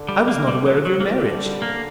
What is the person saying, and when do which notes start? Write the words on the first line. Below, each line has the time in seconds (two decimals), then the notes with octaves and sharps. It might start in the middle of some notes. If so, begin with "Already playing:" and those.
"I was not aware of your marriage."
Already playing: D3
0.09 G3
0.28 A#3
0.47 G3
0.66 F#3
0.85 F#3
1.00 A#3
1.05 E3 G3
1.24 D3
1.43 D3
1.62 A#3